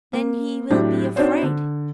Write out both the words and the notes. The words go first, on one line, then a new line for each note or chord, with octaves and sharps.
Then he will be afraid!
A#3
A2 F#3 D4 G4
C4 D4 D#4 F#4 C5 C#5
D3